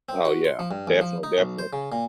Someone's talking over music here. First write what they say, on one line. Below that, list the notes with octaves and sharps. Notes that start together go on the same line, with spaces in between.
Oh, yeah, defin definitely.
C4
F#4
C6
F3
G2
E2
F3
D#4
B1
C5
C#3
A#2